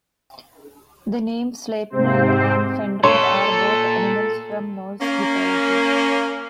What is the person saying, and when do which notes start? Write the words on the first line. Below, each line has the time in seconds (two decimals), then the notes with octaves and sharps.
The names Sleipnir and Fenrir are both animals from Norse mythology.
1.90 G#2 C3 C4 C5
3.04 A#2 A4 C#5 C6
5.01 A#3 C#4